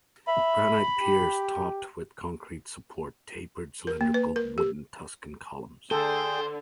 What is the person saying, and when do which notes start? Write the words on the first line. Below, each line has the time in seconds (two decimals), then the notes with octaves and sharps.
Granite piers topped with concrete support tapered cylindrical wooden Tuscan columns.
0.28 E5 B5
0.99 G4
3.87 A#4
4.01 A#3
4.14 B4
4.36 A#4
4.58 G4
5.91 D3 G#4 A4 C5 G5